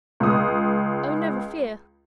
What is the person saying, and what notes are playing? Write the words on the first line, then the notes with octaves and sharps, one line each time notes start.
'Oh! never fear!
C#2 D#6